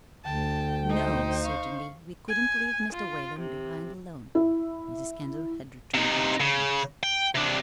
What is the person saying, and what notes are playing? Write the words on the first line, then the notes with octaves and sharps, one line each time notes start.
"No, certainly we couldn't leave Mr. Whalen behind alone," Mrs. Kendall had returned with dry lips.
D2 D3 G5 A5
D#4 C5
F5 C#6
G#5
F4
C3
E4
C3 D#4
C#3
G5
C3 D4